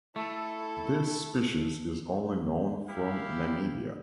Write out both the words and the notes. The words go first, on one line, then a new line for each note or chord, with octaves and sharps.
This species is only known from Namibia.
A3 E4 A4
E4 G4 E5 F5 B5